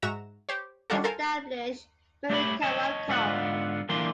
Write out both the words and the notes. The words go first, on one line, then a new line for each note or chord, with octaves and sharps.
Established Marukawa Conf.
G#2 F#4 E5 A#5 A#6 E7
G4 C5 C#5
D#3 G3 D4 F4 F#4 A4
A4 A#4 C5 F5 G#5
A3 G4 C#5 B5
C#5 D#5 A5
G#2 D3 B3 F4 F#5
D3 E3 A#3 F4 C6